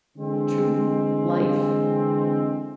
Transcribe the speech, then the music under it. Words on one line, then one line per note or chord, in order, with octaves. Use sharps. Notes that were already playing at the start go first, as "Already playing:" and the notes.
true life,
D3 E3 G#3 C4